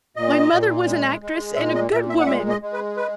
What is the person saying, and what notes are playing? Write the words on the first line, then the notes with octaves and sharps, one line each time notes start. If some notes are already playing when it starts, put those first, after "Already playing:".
My mother was an actress and a good woman.
A#2 D#5
A#2
G#3
G#3
A#2 E5
D#5
A#2 E5
E5
F#5
G#3 E5
D#5
G#3
B4
B4